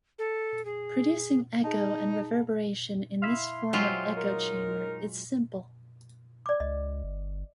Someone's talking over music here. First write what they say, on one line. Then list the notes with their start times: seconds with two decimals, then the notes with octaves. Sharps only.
Producing echo and reverberation in this form of echo chamber is simple.
0.19 A4
0.65 G#4
1.64 D#4 G#4 D#5 A5
3.22 E4 E5 F5 C6
3.73 F#3 G#3 F4 G4 C5 E5
4.17 D#4 A#4
6.46 D5 D6
6.60 C#2 D#5
7.04 G1